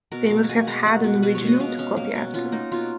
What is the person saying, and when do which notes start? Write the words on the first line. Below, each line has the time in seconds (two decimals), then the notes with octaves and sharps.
They must have had an original to copy after.
0.12 B2 A#4
0.30 B2 F5
0.49 B2 G#5
0.67 G#3 A#5
0.86 G#3 F#5
1.04 B2
1.22 B2 B4
1.35 C#5
1.41 B2
1.48 D#5
1.60 B2 F5
1.78 C#4 F5
1.96 A#3 F5
2.15 B2
2.34 C#4 F4
2.52 A#3 D#4
2.72 B2 F4